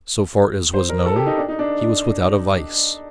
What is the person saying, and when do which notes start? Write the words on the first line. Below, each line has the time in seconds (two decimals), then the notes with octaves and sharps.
So far as was known he was without a vice.
0.74 C5
0.89 A#4
1.06 A4
1.16 G4
1.26 D#4
1.37 D4
1.48 D#4
1.59 D4